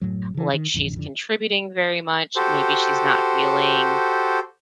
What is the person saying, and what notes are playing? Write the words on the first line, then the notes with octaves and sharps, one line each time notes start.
like she's contributing very much. Maybe she's not feeling
F#1 C#2 A2 F#3
C#3 E3
D#3
E1 A1 F2 D3
F2 D3
F#4 G4 A4 C5